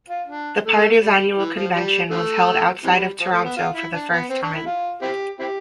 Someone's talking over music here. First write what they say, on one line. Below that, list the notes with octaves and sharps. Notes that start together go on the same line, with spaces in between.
The party's annual convention was held outside of Toronto for the first time.
F4
D4
A3
G3
E3
F3
G3
D3 F3 A3
C3 E3 G3
F3
A3
B3
F4
E4
D4
B3
C4
D4
E4
F4
C4 E4 G4
C4 E4 G4